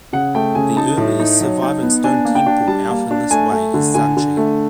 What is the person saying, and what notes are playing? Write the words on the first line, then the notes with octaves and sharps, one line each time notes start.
The earliest surviving stone temple set out in this way is Sanchi.
C#3 F#5
A3 G5
C#3 G#5
D#4 A5
A2
D#4
F#3
D#4
B3
D4 G#5
A#3
G5
D4
G3 A5
A#3
D4
A3 G#5
A3
D3
D3 G#5
D3
A3